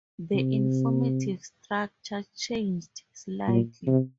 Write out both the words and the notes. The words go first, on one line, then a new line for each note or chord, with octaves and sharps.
The informative structure changed slightly.
C3
A#2
C3